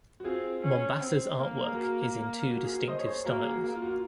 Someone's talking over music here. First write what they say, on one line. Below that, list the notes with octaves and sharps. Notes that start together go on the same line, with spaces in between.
Mombassa's artwork is in two distinctive styles.
F#4
C4 F4 G#4
C#4
C4
A#3
G#4
F#4 A#4
F#4
G#4
F#4
C5 D#5
C#5
G#4 C5
A#3 F#4 A#4
G#4
F#4
A#3
F4
F#4
F4